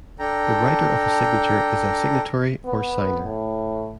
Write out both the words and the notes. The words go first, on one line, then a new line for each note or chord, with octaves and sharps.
The writer of a signature is a signatory or signer.
D4 A4 G5 A#5
B3
A2